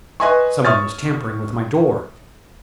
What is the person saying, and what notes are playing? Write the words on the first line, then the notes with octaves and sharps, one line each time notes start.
Someone was tampering with my door!
B4 D#5 E5 G#5 C6 C#6
C#5 E5 C#6 D#6 F6 A6